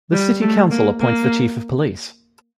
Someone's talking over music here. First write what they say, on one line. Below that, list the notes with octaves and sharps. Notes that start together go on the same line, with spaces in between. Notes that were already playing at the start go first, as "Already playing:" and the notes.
The city council appoints the Chief of Police.
G3
A3
A#3
A#3